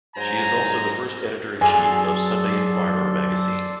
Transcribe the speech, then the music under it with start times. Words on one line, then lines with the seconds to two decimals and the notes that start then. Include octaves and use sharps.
She is also the first editor in chief of Sunday Inquirer Magazine.
0.16 G#2 F#3 C5 G#5 A#5
1.61 F#2 F#3 G#4 A4 D5 G#5 C6